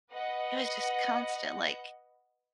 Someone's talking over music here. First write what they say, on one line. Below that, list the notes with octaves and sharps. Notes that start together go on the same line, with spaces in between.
It was just constant, like,
B4 D#5 F#5